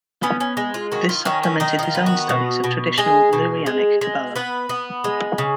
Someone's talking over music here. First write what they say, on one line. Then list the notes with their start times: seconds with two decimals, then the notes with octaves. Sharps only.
This supplemented his own studies of traditional Lurianic Kabbalah.
0.23 B3 C#4
0.40 C#4
0.57 G#3
0.74 F4
0.92 D#3 F#4
1.09 F4
1.25 D#3 C#4
1.43 C#4
1.60 D#3 D#4
1.79 D#4
1.83 F4
1.95 B3
2.06 F#4
2.29 B2
2.64 B2
2.98 G#3 G#4
3.33 B2
3.66 G#3
4.01 G#3
4.36 B3 B4
4.69 B3
5.04 G#3
5.38 C#3